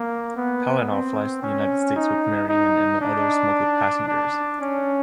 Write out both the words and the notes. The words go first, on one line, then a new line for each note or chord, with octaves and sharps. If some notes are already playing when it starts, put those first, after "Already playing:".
Palinov flies to the United States with Marianne and the other smuggled passengers.
Already playing: A#3
B3
C4
C#4
D#4
D#4
D4
D4
C#4